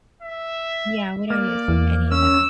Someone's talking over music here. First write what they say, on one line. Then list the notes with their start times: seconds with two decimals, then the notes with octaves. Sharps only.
Yeah, we don't use any of that.
0.23 E5
1.30 A#3 D5
1.68 E2
2.12 C#4 E6